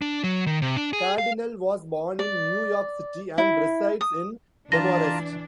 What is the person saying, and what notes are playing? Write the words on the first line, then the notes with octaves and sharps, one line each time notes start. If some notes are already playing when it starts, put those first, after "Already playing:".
Cardinale was born in New York City, and resides in Demarest.
D4
F#3
D#3
C3
D4
G#4
F5
D5
E4
D#6
E3 D4 F4 A5 A#5 A#6